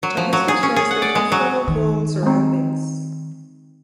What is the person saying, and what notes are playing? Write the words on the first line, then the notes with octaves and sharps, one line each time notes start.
Thomas was raised in comfortable rural surroundings.
F#3
F3
F#3
G#4
C#4
G#4
F#5
D5
G#3
F#3
D#3
G#3 C4